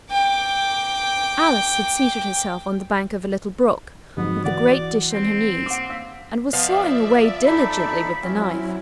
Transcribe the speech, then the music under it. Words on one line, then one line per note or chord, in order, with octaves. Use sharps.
Alice had seated herself on the bank of a little brook, with the great dish on her knees, and was sawing away diligently with the knife.
G5 D6
F2 G#2 F#3 B3
E3 F#4 D5 F#5
C4
F#5 D6
F5 E6 B6
F3 B3 D5 E5 F5
D#4 A4 B5
F#3 C4 C#4 E4